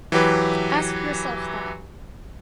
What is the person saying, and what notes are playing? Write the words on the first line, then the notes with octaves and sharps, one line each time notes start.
Ask yourself that.
E3 F#3 G4 B4